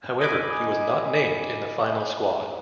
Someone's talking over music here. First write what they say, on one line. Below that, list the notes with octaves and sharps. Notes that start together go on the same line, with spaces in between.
However, he was not named in the final squad.
D#5 G#5 B5 D6